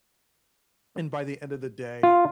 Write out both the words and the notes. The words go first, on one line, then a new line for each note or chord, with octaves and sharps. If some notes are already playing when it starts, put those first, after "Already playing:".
And by the end of the day
F4